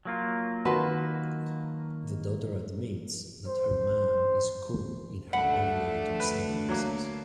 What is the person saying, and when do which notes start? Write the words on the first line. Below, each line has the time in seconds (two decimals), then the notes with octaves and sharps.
The daughter admits that her mom is cool in her aviator sunglasses.
0.05 F#3 A#3 F4
0.65 D#3 F#4 B4 A5 C6
3.48 C5
5.33 D2 A3 D4 F#5 B5
6.20 B4
6.69 F#3 A#3